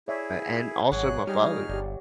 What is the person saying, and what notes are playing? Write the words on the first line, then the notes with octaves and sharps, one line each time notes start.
and also my father,
E4 G#4 C#5 D5 E5
G#1 F#3 G#4 F#6
G3 D#4 G4 G#4 F6
G1 G4 D5